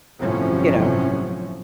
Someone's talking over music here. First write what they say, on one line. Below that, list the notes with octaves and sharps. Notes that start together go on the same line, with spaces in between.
You know?
G1 A2 C3 F3 F#3 C#4